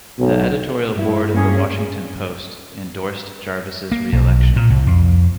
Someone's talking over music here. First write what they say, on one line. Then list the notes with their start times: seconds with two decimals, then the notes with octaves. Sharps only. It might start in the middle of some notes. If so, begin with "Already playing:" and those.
The editorial board of The Washington Post endorsed Jarvis' reelection.
0.19 B1
0.94 G2 E4
1.31 G2 A#3 C#4 G#4
3.92 A#3
4.12 B1
4.56 A#2
4.70 C2
4.87 F2